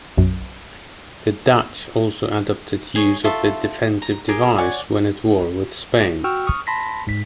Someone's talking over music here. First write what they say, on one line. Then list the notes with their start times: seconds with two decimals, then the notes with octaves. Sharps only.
The Dutch also adopted use of the defensive device when at war with Spain.
0.17 B1 F#2
2.95 G#4 C#5
3.24 F4 A4 E5 C#6
4.02 A#5
4.28 G4 G#4 A#4
4.58 C#5 D5 F#5 G#5
6.24 F#4 G5 C#6 E6 F6
6.47 C#6 D#6 F6
6.67 A5 B5 C6 A#6 B6
7.07 G#2 B6